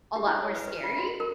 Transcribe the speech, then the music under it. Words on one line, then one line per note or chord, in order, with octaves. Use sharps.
a lot more scary.
G4
E4
C#5
B4
B4
F4
F#4
A#4